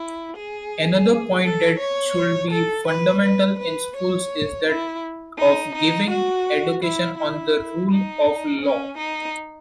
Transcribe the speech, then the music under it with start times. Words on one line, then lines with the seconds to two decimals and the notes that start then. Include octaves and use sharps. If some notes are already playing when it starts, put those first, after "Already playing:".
Another point that should be fundamental in schools is that of giving education on the rule of law.
Already playing: E4
0.36 G#4
1.43 A4
1.79 C#5
2.51 A4
2.87 B4
3.23 B4
3.59 B4
3.95 C#5
4.66 E4
5.38 D#4
5.75 D#4
6.10 F#4
6.82 E4
7.17 E4
7.90 D#4
8.61 C#4
8.97 D#4